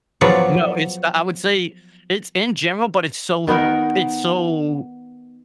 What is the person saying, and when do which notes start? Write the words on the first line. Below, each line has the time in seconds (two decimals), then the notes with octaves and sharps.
No, it's I I would say it's in general but it's so l it's so
0.21 F3 F#3 B3 G#4 C#5 D5
3.47 D#3 B3 D#4 A#4